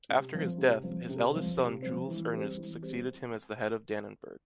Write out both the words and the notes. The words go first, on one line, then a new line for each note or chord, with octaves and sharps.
After his death, his eldest son Jules-Ernest succeeded him as the head of Dannenberg.
C3
F3 C4
C3
F3 C4
C3
F3 C4
C3
F3 C4
E3
G3 C4
E3
G3 C4